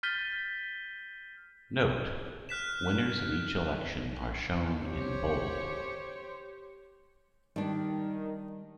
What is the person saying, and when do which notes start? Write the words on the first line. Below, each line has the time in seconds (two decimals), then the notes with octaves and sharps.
"Note: Winners in each election are shown in" bold.
0.03 F6 G6 A6 B6 D#7 G7
2.49 F6 F#6 B6 E7
4.82 G4 C5 C#5
7.56 D#3 G3 D4